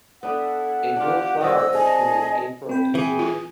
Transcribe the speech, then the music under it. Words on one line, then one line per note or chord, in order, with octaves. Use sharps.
It will flower between April and June.
B3 D4 E4 A4 F#5
D4 F4 G4 D6
E3 G3 C4 D#5 E6
G#4 D#5 A5
D#4
C4 G5 B5
E3 G#4
F4